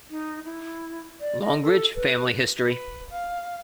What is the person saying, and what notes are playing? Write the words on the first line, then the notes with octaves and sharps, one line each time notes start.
Longridge Family History.
D#4
E4
D5
D#5
A4
B4
B4
F5